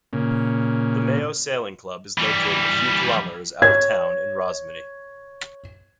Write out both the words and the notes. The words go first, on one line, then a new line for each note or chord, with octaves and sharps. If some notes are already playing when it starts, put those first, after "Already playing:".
The Mayo Sailing Club is located a few kilometres out of town in Rosmoney.
A#2 C#3
E3 G3
C#5 G#6